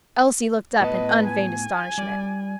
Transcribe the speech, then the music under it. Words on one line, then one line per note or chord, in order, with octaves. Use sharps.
Elsie looked up in unfeigned astonishment.
A2 B3 B4 D#5 A5
G#5
G3 D5